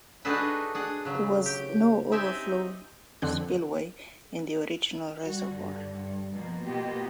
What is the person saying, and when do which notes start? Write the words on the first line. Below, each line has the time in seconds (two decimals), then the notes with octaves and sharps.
There was no overflow spillway in the original reservoir.
0.25 D4 D#4 F#4 G#4 A4 B4
0.75 D4 G#4 F#5
1.05 C#3 F#3
1.46 G4
2.12 C4 D#4 G4 E5 G#5
3.22 F2 D3 C4 F#6
5.20 G3 F#4
5.53 G2 D3
5.94 G2
6.32 B2 F3 A#3
6.63 B2 A#3 B3 F4 G4 D#5